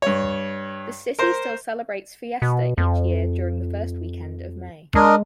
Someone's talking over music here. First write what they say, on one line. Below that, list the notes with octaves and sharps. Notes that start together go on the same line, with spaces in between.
The city still celebrates Fiesta each year during the first weekend of May.
G2 C#5
A#4 C5
B2
F2
G#3 D4 A#4 D#5